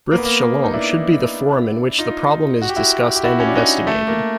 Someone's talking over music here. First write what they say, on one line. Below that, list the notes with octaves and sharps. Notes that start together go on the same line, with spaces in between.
Brith Shalom should be the forum in which the problem is discussed and investigated.
A#3
B3
A#3
D#4
D4 E4
D#4 F4
F#4
G4
E4 F#4
G4
E4 F#4
C#4
D4
C#4 D#4
A3
A#3